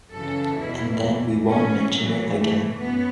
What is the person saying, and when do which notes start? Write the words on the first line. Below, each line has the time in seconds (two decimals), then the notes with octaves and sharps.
And then we won’t mention it again.
0.14 F#2 C#3 E3 A4
0.58 E2 B2 E4
1.02 E2 E3
1.47 A2 E3 C#4
1.91 A2 E3 F#3
2.36 A2 E3 A3
2.80 F#2 B3